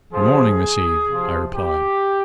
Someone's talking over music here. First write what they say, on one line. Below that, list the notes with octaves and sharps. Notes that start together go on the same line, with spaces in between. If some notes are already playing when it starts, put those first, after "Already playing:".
"Good morning, Miss Eve!" I replied.
C3 F3 G#4
C3 F3
G4